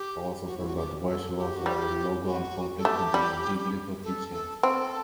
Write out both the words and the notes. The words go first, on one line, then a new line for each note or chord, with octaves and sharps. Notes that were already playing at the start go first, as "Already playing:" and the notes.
He also felt that Welsh laws were illogical and conflicted with Biblical teachings.
Already playing: G4
F#4
E4
F#4
G4
A4
G4
F#4
G3 G4
F#4
A4
A3 G4
G3
A4
A4
C4 A4